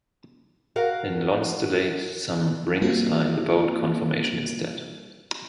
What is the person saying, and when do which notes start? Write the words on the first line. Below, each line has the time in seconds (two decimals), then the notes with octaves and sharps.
In lonsdaleite, some rings are in the boat conformation instead.
0.76 F#4 A#4 F5 F#5
2.82 G3 A#3 C4 F4 F#4